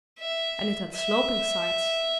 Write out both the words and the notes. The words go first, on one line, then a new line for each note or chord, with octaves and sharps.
And it had sloping sides.
E5
E5